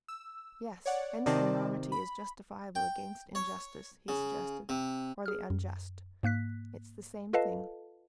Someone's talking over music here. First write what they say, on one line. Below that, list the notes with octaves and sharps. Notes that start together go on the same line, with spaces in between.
"Yes, any enormity is justifiable against injustice," he suggested, "or the unjust; it's the same thing."
E6
C#5 D5 F#5
C3 D#3 C4 D5 D#5 A5
B5
G5
C#5
C#3
C3
G#4 F6
F#2
G#2 A#3 F#6 B6
F4 A4 B4 D#5 F5 A5